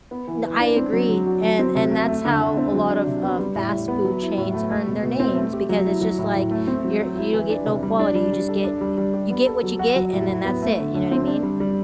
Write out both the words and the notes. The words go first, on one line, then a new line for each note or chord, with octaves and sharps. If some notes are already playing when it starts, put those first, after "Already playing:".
N I agree, and and that's how a lot of, uh, fast food chains earn their names, because it's just, like, you're you get no quality, you just get y you get what you get, and then that's it, you know what I mean?
B3
E3
E3
D4
C4
F#3
F#3
F#4
F#3
C4
C3
A3
A3
D3
D3
C4
F#3
D4
C3
B3
G3
A2
A2
B3
F#3
E4
A2
A3
A3
B2
B2
C4
A3
G4
F#3
E4
F#3
A2
A2
A3
C4
F#3
F#3
E4
E3
D4
C3
G3
D4
G3
G3
A4
D4
G3
G3
G4
B3
A4
F#3
F#4
F#3
A2
A2
B3
A3
D3
D3
C4
D4
G3
G3